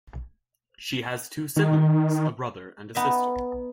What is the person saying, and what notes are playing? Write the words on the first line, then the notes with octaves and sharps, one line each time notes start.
She has two siblings, a brother and a sister.
D#3
B3 D#4 E5